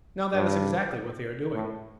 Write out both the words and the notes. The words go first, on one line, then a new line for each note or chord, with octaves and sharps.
Now that is exactly what they are doing.
G2
A2